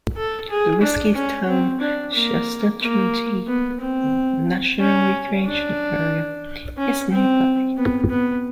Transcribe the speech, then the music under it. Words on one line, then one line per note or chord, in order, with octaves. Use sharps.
The Whiskeytown-Shasta-Trinity National Recreation Area is nearby.
A4
G#4
D4
C#4
C4
D4
A#3
A#3
B3
C4
C#4
D4
C#4
C4
B3
B3